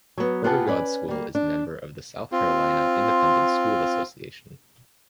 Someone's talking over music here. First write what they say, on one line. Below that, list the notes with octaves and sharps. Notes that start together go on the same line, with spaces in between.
Porter-Gaud School is a member of the South Carolina Independent School Association.
F#3 B3
B3 F4 G4 G#4 F#5 A5
C#4 B4 D5
G3 A#3
D4
C4 F4